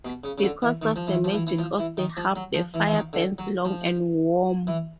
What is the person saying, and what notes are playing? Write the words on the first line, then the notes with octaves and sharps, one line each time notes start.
Because of the magic of the harp, the fire burns long and warm.
B2
C#3
C#3
D3
E3
D#3
F3
E3
F3
E3
E3
F3
E3
D#3
F3
F#3
F3
E3
E3
D#3
D3
F#3
F3
E3